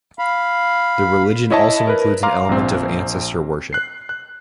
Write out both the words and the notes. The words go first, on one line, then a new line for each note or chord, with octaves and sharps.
The religion also includes an element of ancestor worship.
F5 B5
E4 C#5 D#5 E5 A5
A#4 B4
F5 A#5 C6 D6 F6
A#1 C4
F#6 C7
F#6